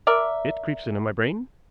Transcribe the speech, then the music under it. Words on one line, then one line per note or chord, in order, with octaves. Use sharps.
"It creeps into my brain."
A#4 D5 E5